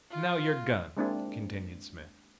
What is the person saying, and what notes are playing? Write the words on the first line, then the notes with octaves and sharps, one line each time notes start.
"Now your gun!" continued Smith.
F4
G#3 A#3 C4 D4 E4 G#4